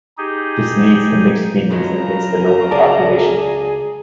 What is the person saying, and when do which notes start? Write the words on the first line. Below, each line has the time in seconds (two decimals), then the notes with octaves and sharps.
This leads to mixed feelings amidst the local population.
0.18 D#4 G4 G#4
1.71 C#3 F3 F#3 G#3 A#5
2.71 C#2 G#4 A#4 D5 A5